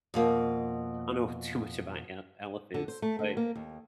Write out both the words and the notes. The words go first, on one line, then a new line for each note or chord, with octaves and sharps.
I don't know too much about el elephants, but
F2 B2 A#3
D3
C5
A3
D3
A#3
D#2